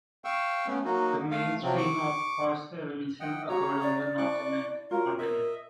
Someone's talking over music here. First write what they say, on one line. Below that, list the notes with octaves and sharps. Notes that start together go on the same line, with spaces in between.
The main stream of horse evolution occurred on the North American continent.
F5 G5 C#6 E6
A3 B3 C#4
F#3 A#3 D#4 F#4
A3 F5
C3 F3 F#3 C4
C#6 D6
D#5 E5 F#5 G5
F#4 G4 C#5 E5 F#5 A#5
D5
E4 A5 C#6 D6 F#6
F4 F#4 A#4 C#5
A#4 D#5 E5